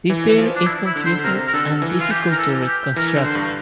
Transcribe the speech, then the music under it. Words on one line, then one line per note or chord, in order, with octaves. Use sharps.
This period is confusing and difficult to reconstruct.
E3
E3
F3
D4
E4
E4
D3
C5
D3
C3 A#4
A#4
D3 A4
E3
F4
G4
A#4
A4
G4
E3 A#4
D3
C5
G2